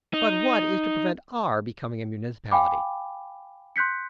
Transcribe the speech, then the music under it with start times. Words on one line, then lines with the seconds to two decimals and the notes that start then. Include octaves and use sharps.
"But what is to prevent our becoming a municipality?"
0.14 D#4
2.52 F5 G5 G#5 B5 D6
3.76 C6 F#6 G6 B6 C#7